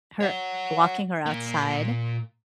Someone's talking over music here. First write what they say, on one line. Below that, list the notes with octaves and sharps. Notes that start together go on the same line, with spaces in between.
her walking her outside,
C#5 F#5
A#2 A#3